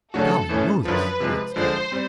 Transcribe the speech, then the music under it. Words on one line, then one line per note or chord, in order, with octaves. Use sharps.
"Golly Moses!" he exclaimed.
C#3 F#3 A3 D4 F#4 A4
A2 E3 A3 C#4
F#2 D3 F3 B4
C3 F3 G#3
D3 F3 G#3 C5
G3 C4